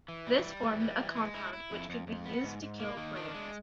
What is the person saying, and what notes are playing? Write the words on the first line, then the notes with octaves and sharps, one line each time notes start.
This formed a compound which could be used to kill plants.
E3
G3
G3
E3
G3
E3
G#3
E4
E4
F2
F2
F2
B3
G#2
G#2
A#3
D#3
D4
G#3